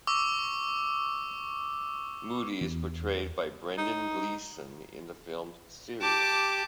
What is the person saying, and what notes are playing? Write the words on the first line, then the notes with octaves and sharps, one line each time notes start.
Moody is portrayed by Brendan Gleeson in the film series.
C#6 D6 E6
E2
D#4
G4 A5 D6